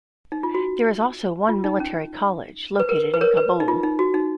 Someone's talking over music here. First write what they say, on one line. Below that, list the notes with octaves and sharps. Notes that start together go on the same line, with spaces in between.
There is also one military college, located in Kabul.
D#4
F4
F#4
F4
D#4
C#4
B4
A#4
B4
A#4 C#5
B4
D#4
F4
D#4
F#4
D#4